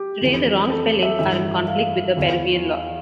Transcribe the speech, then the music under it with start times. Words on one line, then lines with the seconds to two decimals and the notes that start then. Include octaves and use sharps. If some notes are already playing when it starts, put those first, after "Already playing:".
Today the wrong spellings are in conflict with the Peruvian law.
Already playing: G4
0.21 F2 E3
0.70 A4
1.03 E5
1.19 G2 E3 E5
1.68 F5
2.17 E2 E3